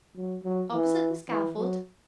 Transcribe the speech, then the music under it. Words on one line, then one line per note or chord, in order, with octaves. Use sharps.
"Opposite the scaffold?"
F#3
F#3
E3
E3
F#3